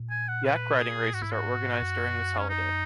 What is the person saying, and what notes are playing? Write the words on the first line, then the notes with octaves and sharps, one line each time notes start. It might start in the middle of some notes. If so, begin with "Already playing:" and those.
Yak riding races are organized during this holiday.
Already playing: A#2
G#5
F#5
B4
G#4
G#2 F#4
E4
F#4
F#2
C#4
D#4